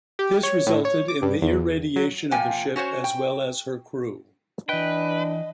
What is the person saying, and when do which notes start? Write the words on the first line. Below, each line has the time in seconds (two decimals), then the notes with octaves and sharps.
This resulted in the irradiation of the ship as well as her crew.
0.19 G4
0.43 C#5
0.67 A2
0.85 C#5
1.08 D6
1.22 G2
1.42 E2
1.96 F#3
2.31 C3 F3 A#3 G5 G#5
2.76 C#4 F#4 C5 C#5
3.04 G5
4.69 E3 D4 B4 D#5 G5